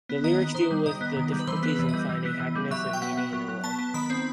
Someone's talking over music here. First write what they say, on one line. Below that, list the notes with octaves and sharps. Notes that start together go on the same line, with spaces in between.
The lyrics deal with the difficulties in finding happiness and meaning in the world.
B3
D#3 D#5
B3
D#3 C5
G3
D#3 D#5
B3
D#3
G3
B4
E3 C5
B3
B4
E3
G3 D#5
E3
B3
E3
G3
F#3 E5
F#3
G5
B3 F#5
B3
F#3
F#3
B3 A5
B3
D#3 B5
C4